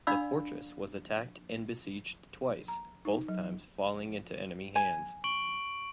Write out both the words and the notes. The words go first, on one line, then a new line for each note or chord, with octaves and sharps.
The fortress was attacked and besieged twice, both times falling into enemy hands.
D4 D5 F5 B5 E6
A#5
D#4
F#3
G#5
C#6 D7 F#7